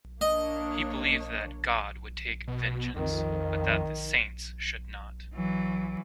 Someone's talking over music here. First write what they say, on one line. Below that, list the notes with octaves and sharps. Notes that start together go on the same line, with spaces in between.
He believed that God would take vengeance, but that the saints should not.
A#3 D4 C#5 D#5
B2
F2 D#3
E3 F#3